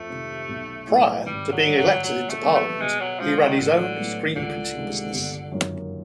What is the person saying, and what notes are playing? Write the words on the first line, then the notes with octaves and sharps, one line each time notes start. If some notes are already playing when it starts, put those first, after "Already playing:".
Prior to being elected into Parliament, he ran his own screen printing business.
Already playing: F2 A3
C3 D#3
B1
A2 F#3 B3
G#1 G3
F#3
G2 D3 G3
F#3
A#2 F#3
A3
G3 B3
A3
B2 G#3
F#3
F3 G#3 C#4 F#4
D#3
A1 D3
A2 F#3 B3
C#2 D3
C3 D#3 G#3
G1
F#2 D#3 F#3 A#3